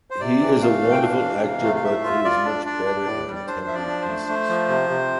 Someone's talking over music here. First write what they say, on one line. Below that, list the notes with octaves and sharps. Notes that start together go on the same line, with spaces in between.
He is a wonderful actor but he is much better in contemporary pieces.
C5
C3 D5
E3
A3 F5
E3
G5
D4 F5
E3
G5
C3 F5
A3
F5
A2 E5
F4
F4 D5
D4
D4 D5
D4
A2
G3
D5
D4 C5
F3 E5
D5
D4
C5
A3
A3
F3
C3
C3